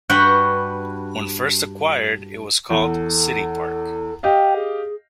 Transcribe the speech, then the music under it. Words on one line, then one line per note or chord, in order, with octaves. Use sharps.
When first acquired, it was called "City Park".
G2 F#4 B4 F#5 G5
E2 A4
G4 D#5 F5 G5
G#4